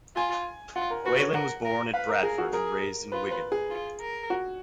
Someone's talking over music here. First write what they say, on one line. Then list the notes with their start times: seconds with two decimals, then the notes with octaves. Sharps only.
Whelan was born in Bradford, and raised in Wigan.
0.16 F4 G#5
0.76 F4 F#5
0.91 A#4
1.05 F#4 B4
1.20 C#5
1.34 A#4 F#5
1.65 A#4
1.93 B4 F5
2.09 A#4
2.23 G#4 A#4
2.38 F#4
2.53 G#4 A#4
3.12 F4 B4
3.31 B4
3.52 G#4
3.71 F4
4.00 A#4
4.30 F#4